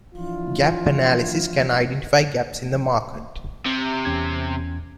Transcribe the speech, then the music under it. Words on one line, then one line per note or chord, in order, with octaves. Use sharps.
Gap analysis can identify gaps in the market.
E3 F3 D4 E4 F4
C3
E2 C#4 G#6